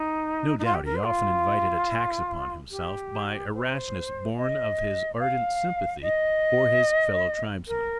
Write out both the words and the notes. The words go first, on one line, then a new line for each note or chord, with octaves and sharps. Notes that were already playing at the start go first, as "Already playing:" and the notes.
No doubt he often invited attacks upon himself by a rashness born of his ardent sympathy for his fellow-tribesmen.
Already playing: D#4
D#4
F4
G4
A#4
C5
F4
G4
C5
D#5
F5
D#5
A#4